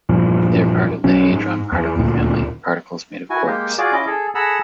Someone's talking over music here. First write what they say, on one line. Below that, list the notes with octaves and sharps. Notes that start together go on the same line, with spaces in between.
They are part of the hadron particle family - particles made of quarks.
E2 G2 A#2 F3
B1 B2 F#3 C#4
G#2
E2
D#1 D2 A#2
E4 F#4 G#5
G#3 A#3 G4
F4 F#4 G#4 D5 D6
C#4 E4 D#5 D6
G#4 A4
G#4 A4 F#5 A#5 B5 E6